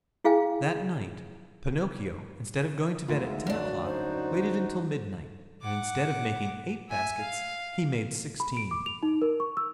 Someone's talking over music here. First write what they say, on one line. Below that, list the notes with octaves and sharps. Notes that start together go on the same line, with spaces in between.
That night, Pinocchio, instead of going to bed at ten o'clock waited until midnight, and instead of making eight baskets, he made sixteen.
E4 G#4 F5 G5 G#5
D2 G#2 G#3 F4 E5
F#2 D4 F#4
D#4 F#4 C5
F#5 D6
E5 G#5
F5
B5
D7
D6
F7
D#4
A#4
C#6
E6